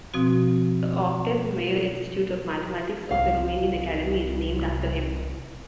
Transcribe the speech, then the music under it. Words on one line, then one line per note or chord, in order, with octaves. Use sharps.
The Octav Mayer Institute of Mathematics of the Romanian Academy is named after him.
B2 F3 C4 F#4
C2 F5